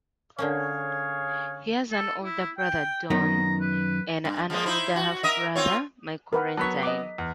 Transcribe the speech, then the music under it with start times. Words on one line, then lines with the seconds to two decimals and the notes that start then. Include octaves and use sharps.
He has an older brother, Don, and an older half-brother, Michael Rendine.
0.38 D3 A#3 C#4 G#4 C#5 F5
1.91 A4
2.24 E4
2.58 G5
3.10 F#2 D#3 B3 A#5
3.61 B4
4.25 G2
4.50 F3 G#3 A#3
4.66 D#4 E4 C5
4.96 F#4
5.23 A#4 D#5 E5
5.56 C4 F4 C#5
6.33 A#4 B4 F#5
6.57 F#3 B3 A5 B5 C#6 B6
6.83 D#5 D6
7.18 E2